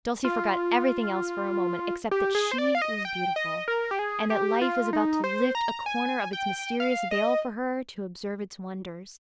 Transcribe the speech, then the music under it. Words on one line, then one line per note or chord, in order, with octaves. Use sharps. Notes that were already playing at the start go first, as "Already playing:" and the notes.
Dulcie forgot everything else for a moment except that she was beautiful, and that life was about to lift a corner of its mysterious veil for her to observe its wonders.
F4
G4
G#4
C5
D5
F5
D#5
G5
D#5
A#4
G4
G#4
G4
F4
D#4
C5
A#5
G#5
G5
F5
D#5